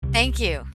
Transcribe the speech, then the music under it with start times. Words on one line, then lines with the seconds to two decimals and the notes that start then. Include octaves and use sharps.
thank you.
0.03 C2